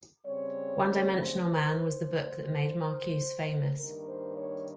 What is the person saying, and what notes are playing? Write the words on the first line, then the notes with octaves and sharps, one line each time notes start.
"One-Dimensional Man" was the book that made Marcuse famous.
C#3 G3 C4 C#5
C5
G2 D#3 A#3 A#4
C5
C#5